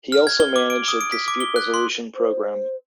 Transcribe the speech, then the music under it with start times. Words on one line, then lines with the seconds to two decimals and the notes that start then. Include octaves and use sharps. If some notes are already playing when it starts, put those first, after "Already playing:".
He also managed a dispute resolution program.
0.12 F6
0.27 G#6
0.40 G7
0.56 D6
0.70 D7
0.88 D#6
1.01 D7
1.12 B6
1.28 D6
1.40 G7
1.56 F#6
1.74 C6
2.15 C5